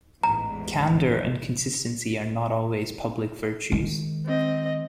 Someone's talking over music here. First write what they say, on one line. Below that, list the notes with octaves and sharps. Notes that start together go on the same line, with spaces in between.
Candor and consistency are not always public virtues.
A1 E2 G#2 A#5
D#3 G#3
C4 D#5